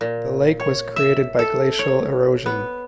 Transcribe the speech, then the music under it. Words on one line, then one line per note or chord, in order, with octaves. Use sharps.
The lake was created by glacial erosion.
A#2
C#5
E5
A4
C#5
B3